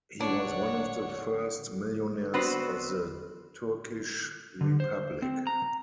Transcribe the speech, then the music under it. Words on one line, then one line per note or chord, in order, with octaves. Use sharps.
He was one of the first millionaires of the Turkish Republic.
D4 C#5 F#5
B3 C4 D4 F#4 B4 C5
D3
C5
C4
A#5